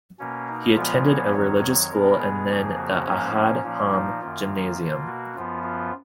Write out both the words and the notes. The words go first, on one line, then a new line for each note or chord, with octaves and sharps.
He attended a religious school and then the Ahad Haam gymnasium.
B2 A#3 C#4
D#4
A#2 F3 G#3 B3 F4
C#5
F2 D#3 F#3 C#5
C#5
B2 G#3 B3 A#4
G#4
F2 C#3 F3 A#3
F#4
G#2 F3 A#3 C#4
A#2 F3 A#3
D#4
F#2 D#3 A#3 F4
B2 A#3
F#4
F#2 F3 B3 F4
F4